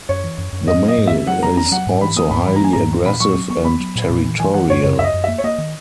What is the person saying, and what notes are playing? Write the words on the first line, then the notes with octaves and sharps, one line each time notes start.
The male is also highly aggressive and territorial.
F#2 C#5
E3
F#2
F#2
G#2 D#5
F#3
D#5
G#2
D#3 E5
F#3 F#5
F#3 A#5
C#4 A#5
F#3 F#5
G#2
E3 B5
A#3 D#6
G#2 B5
E3 B5
A#5
A#3 G#5
G#2 A#5
E3
A#2 B5
F#3 C#6
F#3
B3 C#6
B3 B5
F#3
A#2
A#2
E3
E3 G#5
E3 F#5
F#2 C#5
F#2 C#5
F#2 E5
D#5
F#2
A#3 E5
C#5
A#3 D#5
D#3